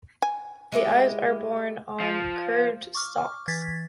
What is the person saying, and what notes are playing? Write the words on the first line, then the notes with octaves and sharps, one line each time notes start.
The eyes are borne on curved stalks.
G#5
G#3 E4 F#4 G4
F3
C#6 D6 F6
E3 G#6 A6 B6